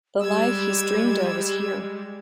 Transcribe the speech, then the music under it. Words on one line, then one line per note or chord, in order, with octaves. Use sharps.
The life he's dreamed of is here.
G3 G#3 G4 E6 G#6